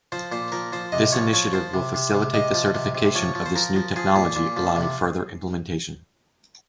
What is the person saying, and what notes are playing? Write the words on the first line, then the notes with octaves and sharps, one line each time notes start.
This initiative will facilitate the certification of this new technology allowing further implementation.
F3 C5
A#2 C5
F3 A#4
F3 C5
C3 D#5
F3 C#5
F3 C#5
F3 C5
C3
C3
C3
C3 D#5
F3
C3
C3
F3 C#5
F3
C5
F3 A#4
F3
F3 G#4
A#2
A#2
F3
C3